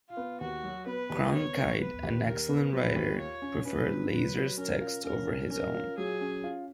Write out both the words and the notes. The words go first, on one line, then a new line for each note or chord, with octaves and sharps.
Cronkite, an excellent writer, preferred Leiser's text over his own.
F4
B3
D#2 F#4
F#3
B3 B4
D#2
B3 C#5
B3
B3 B4
D#2
D#2 A#4
B3
F#3 B4
D#2
F4 C#5
C#4
C#4 B4
F#3
F#3 B4
F#3
C#4 A#4
F4
C#4 A#4
C#4
C#4 A#4
F4
F#3 G#4
C#4
F4